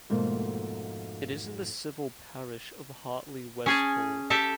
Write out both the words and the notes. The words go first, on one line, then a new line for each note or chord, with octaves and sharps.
It is in the civil parish of Hartley Wespall.
F2 G#2 B2 A3 A#3
C#4 G#4 A5
G4 A4 E5 A5